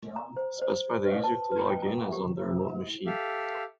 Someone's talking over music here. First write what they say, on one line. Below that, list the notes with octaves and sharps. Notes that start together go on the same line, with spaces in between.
Specify the user to log in as on the remote machine.
A#5
C5
C5
B4
A5
B4
G5
A#5
G4
G4 A4 E5 F5